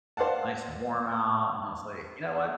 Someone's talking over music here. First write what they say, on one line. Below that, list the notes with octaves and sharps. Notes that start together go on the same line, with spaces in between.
it's nice and warm out, and I was like, "you know what,
C5 D5 F5 F#5 A5